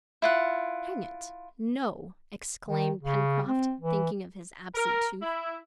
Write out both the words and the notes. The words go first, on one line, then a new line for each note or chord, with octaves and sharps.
"Hang it, no!" exclaimed Pencroft, thinking of his absent tooth.
E4 F4 F#5
D#3
C#3
C4
E3
A#4
E4